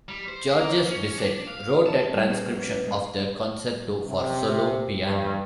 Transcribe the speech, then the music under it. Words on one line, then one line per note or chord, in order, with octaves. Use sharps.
Georges Bizet wrote a transcription of the concerto for solo piano.
G3
C5
A#3
C#4
D4
F5
A5
G3 G#3 C5 G5
B3 C#4 F#4 G#4 A#4 C5
A#3 B3 C#4
A#2 G#3 C#5 D#5 F5
C3
G2